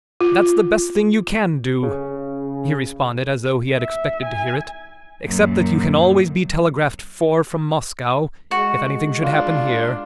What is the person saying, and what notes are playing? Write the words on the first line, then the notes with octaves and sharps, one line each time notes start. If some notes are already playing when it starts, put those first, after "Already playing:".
"That's the best thing you can do," he responded, as though he had expected to hear it; "except that you can always be telegraphed for from Moscow, if anything should happen here."
F4
C#3
E5
G#5
F#2 A#2
G#3 F#4
D4 F4